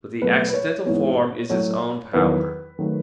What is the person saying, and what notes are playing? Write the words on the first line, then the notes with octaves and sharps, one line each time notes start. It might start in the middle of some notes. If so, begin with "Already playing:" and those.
But the accidental form is its own power.
B2 F#3 A3 B4
B4
C#5
G#2 E3 B3 C#5
A2 F#3 A3 C#5
E2 D#3 F#3 B4
D#3 F#3 A3